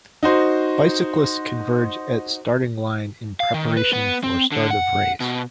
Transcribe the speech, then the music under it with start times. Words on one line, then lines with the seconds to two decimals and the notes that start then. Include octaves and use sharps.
Bicyclist converge at starting line in preparation for start of race.
0.23 D#4 F#4 C5
3.40 F5
3.54 D#3
3.77 B4
3.93 B3
4.23 C4
4.52 D3
4.70 F#5
5.20 B2